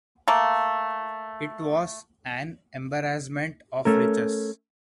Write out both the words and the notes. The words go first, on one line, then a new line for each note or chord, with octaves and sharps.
It was an embarrassment of riches.
A3 A#3
A3 C#4 A#4